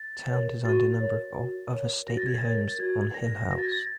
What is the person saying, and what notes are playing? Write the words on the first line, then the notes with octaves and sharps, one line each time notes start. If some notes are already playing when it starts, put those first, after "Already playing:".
Town designed a number of other stately homes on Hillhouse.
Already playing: A6
A#4 C#5
F#4 A6
A#4 C#5
F#4
A#4 C#5
F#4 A#6
A6
G#6
A6
A#4 C#5
A6
F#4 G#6
A#4 D5 A#6
F#4 A#6
A6
G#6
A6